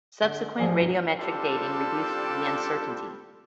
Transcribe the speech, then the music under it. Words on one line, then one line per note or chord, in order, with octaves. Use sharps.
Subsequent radiometric dating reduced the uncertainty.
D3
A1 F3 G#4 D5
G1 B2
G3 C4 D4 F4 G4 A4